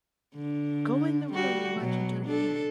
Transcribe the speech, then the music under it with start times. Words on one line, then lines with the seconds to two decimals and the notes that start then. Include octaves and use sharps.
"Go in the room, we're watching Dirty Harry."
0.35 D3
1.33 G3 F#4
1.80 B2 F#3
2.25 D4 A4